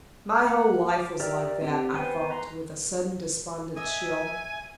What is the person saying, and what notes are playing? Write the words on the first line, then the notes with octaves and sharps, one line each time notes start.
My whole life was like that, I thought, with a sudden despondent chill.
F#5
D6
G4 A#4 D5 E5
C4 G4
B3 B4 C5 G5 G#5
B4 A#5 C6
D#5 E5 G#5